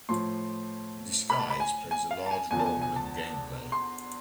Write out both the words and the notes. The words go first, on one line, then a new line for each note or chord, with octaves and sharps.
Disguise plays a large role in gameplay.
A2 F3 C6
B5
A5
B5
G#5
G#5
F5
A5
G#5
E2 D3 F3 G#5
A5
G#5
G#5
A5
C6